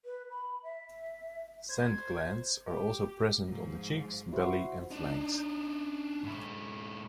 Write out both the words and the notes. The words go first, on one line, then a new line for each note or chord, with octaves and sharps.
Scent glands are also present on the cheeks, belly and flanks.
B4
B5
E5
C5 G#6
G4
G#2 F3
E4 F#4 C5
D4 D#4
G#2 E4